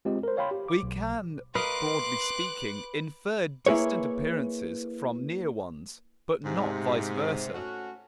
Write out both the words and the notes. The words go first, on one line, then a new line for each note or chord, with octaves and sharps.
We can, broadly speaking, infer distant appearances from near ones, but not vice versa.
G#3 C4 F4 G4 D#5
A#4 C5
C#5 F5 G5 B5 C6
G4
D6
B1
A#4 B4 D#5 F5 C6 D6 F#6
A#3 E4 G#4 B4 C#5
G#2 C3
A3 C#4 F#4